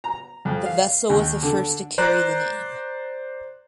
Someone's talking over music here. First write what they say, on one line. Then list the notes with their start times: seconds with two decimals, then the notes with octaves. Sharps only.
The vessel was the first to carry the name.
0.04 A#5
0.45 F2
0.66 F5
1.09 D#2
1.43 D3
1.98 C5 D5 A#5 F#6